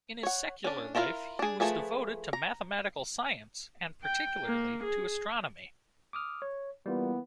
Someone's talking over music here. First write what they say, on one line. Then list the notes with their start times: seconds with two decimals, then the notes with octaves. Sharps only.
In his secular life he was devoted to mathematical science, and particularly to astronomy.
0.23 C#5 F#5
0.64 C#4 D4
0.95 E4 F4 A#4 D#5 F5
1.39 D4 G#4
1.60 F3 A3 G#4 B4
2.33 A#5
4.04 G5
4.45 A#3
4.84 G#4
6.13 D6 D#6 F6
6.42 C#5
6.86 E3 G3 A#3 B3 F4